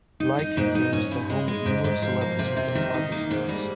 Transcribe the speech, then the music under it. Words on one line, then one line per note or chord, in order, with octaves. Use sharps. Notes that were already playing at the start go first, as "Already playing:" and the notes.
Leikanger is the home of numerous celebrities within politics and arts.
D#4
D#4
G#2
D#4
C#4
G2
G#3
G#3
G#2
G#2
F3
A#3
C3
C3
D#3
D#4
A#3
G#2
G3